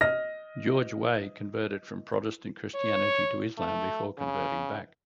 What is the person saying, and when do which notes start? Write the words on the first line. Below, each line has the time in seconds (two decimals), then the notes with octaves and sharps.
George Weah converted from Protestant Christianity to Islam, before converting back.
0.01 D#5 F6 A#6
2.75 C#5
3.58 A3
4.18 C#3